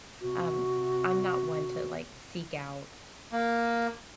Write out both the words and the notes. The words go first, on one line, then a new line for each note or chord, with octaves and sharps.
um, I'm not one to, like, seek out
C3 F#4
A#3